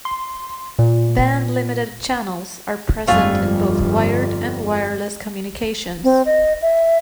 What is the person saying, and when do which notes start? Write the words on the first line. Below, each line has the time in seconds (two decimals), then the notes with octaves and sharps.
Bandlimited channels are present in both wired and wireless communications.
0.05 C6
0.79 A#2
3.07 G1 F2 G3 A3 F4 G#5
6.04 C4
6.26 D#5
6.62 E5